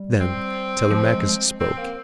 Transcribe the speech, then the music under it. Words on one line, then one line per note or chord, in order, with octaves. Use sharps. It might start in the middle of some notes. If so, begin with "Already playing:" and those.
Then Telemachus spoke.
Already playing: G3
C4
F3
G#3
C4
A#3